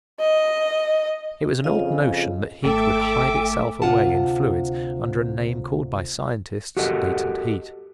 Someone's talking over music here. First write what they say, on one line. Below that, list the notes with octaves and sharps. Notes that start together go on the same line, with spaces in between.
It was an old notion that heat would hide itself away in fluids under a name called by scientists latent heat.
D#5
F2 C#3 F4 D#5 F5
G#1 A3 A4 E5 G5 D6
D2 G2 C3 F4 F#5 A5
F#4 G4 A4 A#4 D#5 F#5